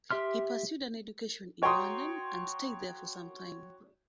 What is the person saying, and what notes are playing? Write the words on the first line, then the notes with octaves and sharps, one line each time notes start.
He pursued an education in London and stayed there for some time.
G4 E5 C6 F6
F#4 C#5 G5 A#5 C6 D#6